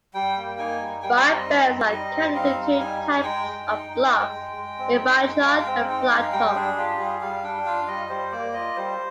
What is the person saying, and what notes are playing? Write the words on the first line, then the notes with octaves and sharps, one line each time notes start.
Briar burls are cut into two types of blocks; ebauchon and plateaux.
G3 G5
A#3
D#4 G#5
G3
G3 G5
F5
G5
C4
D#5
D#4
G3
G3 D#5
C4
D#4 F5
G3
D#4 G#5
D#4
G#3 G5
G#3
D#4
D#4
G#3
G#3
G#3
C4
D#4
G#3
G#3 F5
C4 G5
D#4 G5
G#3 F5
G3 G5
D4 G#4
F4 G4
G3 G#4
G3 F5
D4 G5
F4 F5
G3 D#5
G3 C5
A#3 D5
F4 D#5
G3 C5